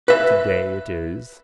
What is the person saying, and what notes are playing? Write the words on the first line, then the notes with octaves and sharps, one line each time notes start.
Today it is.
B4 E5